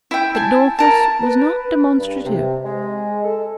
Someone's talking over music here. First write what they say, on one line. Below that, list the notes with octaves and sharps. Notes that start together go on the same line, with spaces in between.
But Dorcas was not demonstrative.
E4 G5
G#5 A5
A#4 A5
B4
G2
C3
G#3
A4